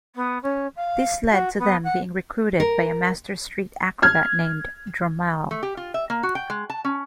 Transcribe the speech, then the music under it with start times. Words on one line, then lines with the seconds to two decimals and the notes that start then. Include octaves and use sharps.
This led to them being recruited by a master street acrobat named Dromale.
0.15 B3
0.42 C#4
0.76 F5
1.31 F#4
1.58 B3
1.84 F#5
2.60 A#4
4.02 F6 G#6
5.51 A3
5.63 G4
5.77 F4
5.94 E5
6.10 A#3
6.23 F#4
6.35 G5
6.50 G#3
6.70 A5
6.85 C#4